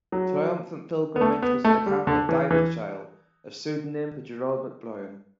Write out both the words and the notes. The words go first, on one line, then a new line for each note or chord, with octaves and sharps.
"Triumphant Pilgrimage" was an account of "David Chale", a pseudonym for Gerard MacBryan.
F#3
B3
A3
B3
A3
G3
D3
E3
E3